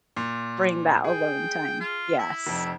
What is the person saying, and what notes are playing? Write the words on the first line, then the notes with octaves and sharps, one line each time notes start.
bring that alone time. Yes.
A#2
G#4 G5
F4
E4
F1 F2